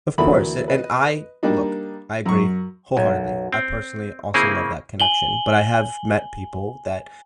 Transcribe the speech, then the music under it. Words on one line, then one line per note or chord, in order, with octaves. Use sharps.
of course, a and I look, I agree wholeheartedly. I personally also love that connection, but I have met people that
D2 E3 A#3 E4 A4 B5
B4 D#5
G3 A#3 D4 D#4
F#2 C#6
B1 F#2
C4
C#3 A#3 C4 E4 G#4
G#5 F#7 G7